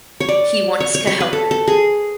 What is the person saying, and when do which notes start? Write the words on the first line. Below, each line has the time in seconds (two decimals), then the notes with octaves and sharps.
He wants to help him.
0.20 C#5
0.29 D5
0.80 C#5
0.95 C#5
1.07 C#5
1.20 B4
1.33 A4
1.51 A4
1.68 G#4